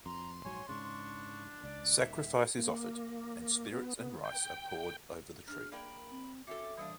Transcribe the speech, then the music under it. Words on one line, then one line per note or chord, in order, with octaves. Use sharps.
Sacrifice is offered, and spirits and rice are poured over the tree.
F2 A#5 C6
A#1 G#2 F#3 C#5 G#5
G#2 C#3 D4 C#6
C#2 D5
D#1 D#3 E5
A#3
B3
B3
G5
G#2 D4 G#4 F6
A#3 A#4 D5 G5 B5
C4
C4 C#4 F#4 A4 E5 D6
E3 G3 A#3 D4 F5 D#6